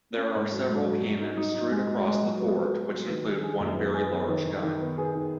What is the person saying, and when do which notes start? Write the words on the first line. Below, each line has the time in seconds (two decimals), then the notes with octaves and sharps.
There are several cannons strewed across the fort which includes one very large gun.
0.17 C#4
0.35 G#2
0.52 F#3
0.69 G#2
0.86 F#3
1.02 F#3
1.20 D#4
1.37 D#4
1.55 D#4
1.72 G#3
1.89 F#4
2.06 G#3
2.23 F#3
2.40 B3
2.57 F#3
2.74 F#3
2.92 B3
3.09 D#3
3.26 G#4
3.44 G#4
3.60 F#2
3.78 B3
3.94 G#4
4.11 B3
4.28 D#3
4.45 D#3
4.63 D#3
4.80 B3
4.98 G#4
5.15 D#3